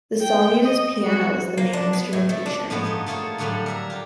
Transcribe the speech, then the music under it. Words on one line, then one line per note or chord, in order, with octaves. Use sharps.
The song uses piano as the main instrumentation.
G5
D#5
F#4
A#3
D4
B3
A2
A3
D4
A2 F3 G#3 A3 B3 F#4
G2 D#4 G#5 A5
A3 A#3 F4 G#4 C#5 A5
A2 D3 F#3 G3 A3
A#4 E5 A#5
F4 G4